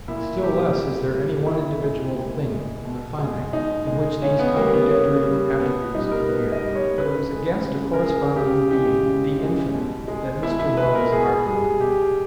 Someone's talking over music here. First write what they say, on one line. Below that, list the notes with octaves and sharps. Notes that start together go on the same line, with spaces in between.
Still less is there any one individual thing, "The Finite," in which these contradictory attributes inhere. But it was against a corresponding being, "The Infinite," that Mr. Mill was arguing.
A#2 E4
G3 G4
A#2
G3
A#2 E4
G#3
A#2
G#3
B2
G#3
B2 D#4
G#3
C#3 C#4
B3
G3 A#3
B3
C#3 C#4
G3
B2 B3
G3 D#4
A#4
B2 B4
D#5
G3
C#5
C#3 B4
G#3
C#3
A#4
G#3 G#4
C#3 G4
E3 G#3 G4
C#3
E3 G#3
B2
G#3
B2 E4
E4
G#3 B4
A#4
B2 G#4
G3 G#4
B2 G4